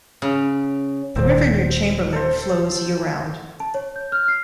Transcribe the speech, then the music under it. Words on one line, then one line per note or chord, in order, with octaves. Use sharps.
The river near Chamberlain flows year-round.
C#3
D#1 A#2 D#3 C4
A4 C5
A5
C#5
G6
F6
C7